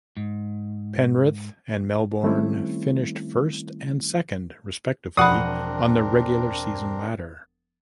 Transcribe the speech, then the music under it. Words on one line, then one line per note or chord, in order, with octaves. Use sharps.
Penrith and Melbourne finished first and second respectively on the regular season ladder.
G#2
D#3 G3 A3 C4 C#4 E4
E1 F3 C4 D4 A#4 F#5 B5 D#6